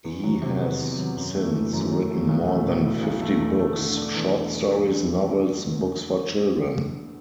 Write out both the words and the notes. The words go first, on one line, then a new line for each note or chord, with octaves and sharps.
He has since written more than fifty books, short stories, novels, books for children.
E2
F#3
C3
B3
E2
F#3
F#2
A3
E3
F#2
F#2
A3
B1
A3
B2
E4
B1
A3
E2
A3
D3
D4
E2